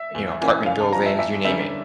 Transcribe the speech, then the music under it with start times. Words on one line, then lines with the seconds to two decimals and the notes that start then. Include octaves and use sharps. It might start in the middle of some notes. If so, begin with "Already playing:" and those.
you know, apartment buildings, you name it.
Already playing: E5
0.14 E2
0.41 E3 A#3 C#4
0.66 C#3 F5
0.80 A5
0.92 F3 C#4 A#5
1.06 E5
1.19 E2 E5
1.45 D3 G3 A#3 C#4 E5